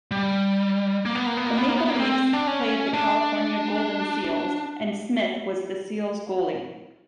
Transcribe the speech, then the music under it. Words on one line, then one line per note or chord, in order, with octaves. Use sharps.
The Maple Leafs played the California Golden Seals and Smith was the Seals goalie.
G3
A#3
B3
A#3
B3
A#3
B3
A#3
B3
A#3
C4
D4
C#4
D4